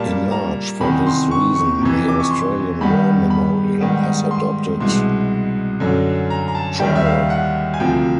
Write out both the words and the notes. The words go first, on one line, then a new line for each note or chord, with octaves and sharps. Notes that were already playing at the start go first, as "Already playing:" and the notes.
In large, for this reason, the Australian War Memorial has adopted "Trail".
Already playing: A#2 G3 A#3 A5
A#5
E2 C3 D#3 B5
C6
C#6
C#6
F2 C3 E3
D6
C#6
C6
G2 D#3 G3 B3 B5
B5
G#2 D#3 G3 B3
C6
C2 B2 G#3 C6
F#2 D3 F#3
A#5
A#5
A5
D#2 D#3 G3 G5
E5
F5
F#5
G#5
D2 C3 F3 G5